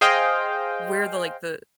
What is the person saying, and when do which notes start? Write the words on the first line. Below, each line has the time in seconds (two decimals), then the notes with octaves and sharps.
where the, like, the
0.01 G#4 C5 D#5 F5 G5